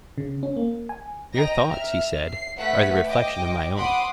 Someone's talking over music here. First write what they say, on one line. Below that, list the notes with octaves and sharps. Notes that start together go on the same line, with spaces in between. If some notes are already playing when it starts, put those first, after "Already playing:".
Your thoughts, he said, are the reflection of my own.
C#3
C#4
A#3
G#5
D#5 G5 A#5 A#6
E5 F6
C7
A3 B4 F#5 B6
D#5 G5 D6
F#5 B5 C6 D6 D#6